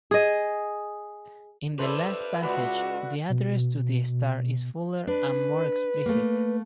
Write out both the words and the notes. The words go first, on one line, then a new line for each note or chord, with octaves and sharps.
In the last passage the address to the star is fuller and more explicit.
G#4 D#5
E4 A4 B4 C5 D5
C#2 F#4 B4 D5
B2
D4 B4
A3 A#3